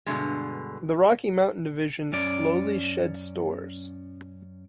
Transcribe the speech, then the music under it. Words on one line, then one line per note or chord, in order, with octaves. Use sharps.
The Rocky Mountain division slowly shed stores.
G2 B2 D3 D#3 G#3
F#2 C#4 D5